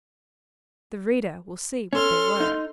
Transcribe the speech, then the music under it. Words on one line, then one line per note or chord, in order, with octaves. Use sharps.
The reader will see what they were.
C#4 A4 C6 F6
D#4